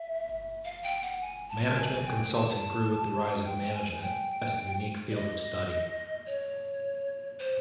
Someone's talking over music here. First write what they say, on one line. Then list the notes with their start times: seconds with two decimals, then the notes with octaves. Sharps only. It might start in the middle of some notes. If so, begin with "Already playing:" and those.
Management consulting grew with the rise of management, as a unique field of study.
Already playing: E5
0.65 F5
0.83 G5
1.02 F#5
1.21 G#5
1.49 A5
1.77 G#5
2.06 G5
2.33 A5
3.45 G5
3.74 G#5
4.02 G5
5.11 D5
5.15 D#5
6.26 C#5
7.39 C5